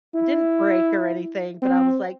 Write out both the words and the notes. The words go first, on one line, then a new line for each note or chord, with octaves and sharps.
It didn't break or anything, but I was like,
E4
C4